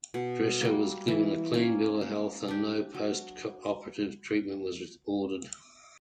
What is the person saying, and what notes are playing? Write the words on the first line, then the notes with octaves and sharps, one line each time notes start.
Drescher was given a clean bill of health and no post-operative treatment was ordered.
B2
G3 A#3
E3
A#3 C#4
A#3
D4 G4
F#3